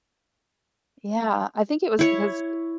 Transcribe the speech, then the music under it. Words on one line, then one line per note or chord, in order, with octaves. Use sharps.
Yeah, I think it was because, eh
E4 C#5